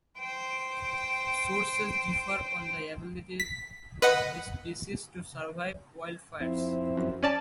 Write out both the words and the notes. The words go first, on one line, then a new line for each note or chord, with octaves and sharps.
Sources differ on the ability of this species to survive wildfires.
C5 G5
B6
B4 D#5 F#5
F2 C4 E4
F#2
C#4 D5 A5